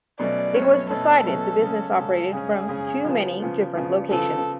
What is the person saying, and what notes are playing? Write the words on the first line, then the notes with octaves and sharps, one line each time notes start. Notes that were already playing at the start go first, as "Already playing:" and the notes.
It was decided the business operated from too many different locations.
B2 F#3 A3 C#4 D5
B2 F#3 A3 C#4 C#5
B2 F#3 A3 C#4 A4
B2 F#3 A3 C#4
C#3 G#3 C#4
C#3 G#3 C#4 A4
C#3 G#3 C#4 G#4
C#3 G#3 C#4
C#3 F3 B3
C#3 F3 B3
C#3 F3 B3
C#3 F3 B3 A4